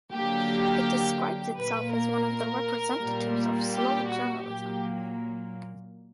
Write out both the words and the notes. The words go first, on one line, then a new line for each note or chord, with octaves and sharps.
It describes itself as one of the representatives of slow journalism.
D3 F#3 A#3 G4
A#2 A#3 B4
A#4
A#2 G3 A#3
G4
F#4
A#2 F#3 A#3 G4